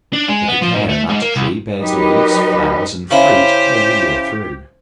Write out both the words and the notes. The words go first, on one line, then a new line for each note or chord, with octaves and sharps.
The cacao-nut tree bears leaves, flowers, and fruit, all the year through.
D4
G#3
B3
F3
G#2
A3
G#2
A#3
C2
F#3 D#4 G4 A#4 B4 D#5
C#3 E4 G4 A#4 C5